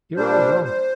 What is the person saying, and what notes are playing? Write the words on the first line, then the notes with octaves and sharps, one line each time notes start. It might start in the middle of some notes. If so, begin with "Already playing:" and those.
You're all wrong!
A#2 G3 D4 C5
C5